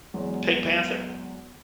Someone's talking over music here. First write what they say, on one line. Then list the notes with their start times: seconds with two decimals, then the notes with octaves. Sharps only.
The Pink Panther?
0.14 E2 F#3 G#3